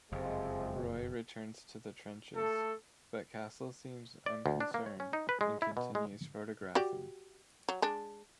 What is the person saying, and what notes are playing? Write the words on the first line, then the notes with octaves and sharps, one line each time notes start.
Roy returns to the trenches but Castle seems unconcerned and continues photographing.
F#1 F2 C3 F3 G#3
A3 A4
D5
D2
D4
A#3
C#5
C#4
D#4
B4
G#3
E4
B2
G#3
F#4 G4 D5
F#3
G#3 D4